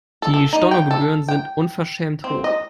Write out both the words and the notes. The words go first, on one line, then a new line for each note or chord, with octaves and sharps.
Die Stornogebühren sind unverschämt hoch.
A4
A4
D#4
G5
A4
G5
C4
D#5